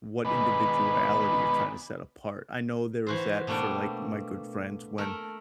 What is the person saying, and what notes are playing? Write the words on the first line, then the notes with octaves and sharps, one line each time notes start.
what individuality you're trying to set apart. I know there is that for, like, my good friends when
B2 D#3 G#3 B3 D4 B4
E3 F#4 C5
B2 A3 A#3 D4 G5
A3 A#4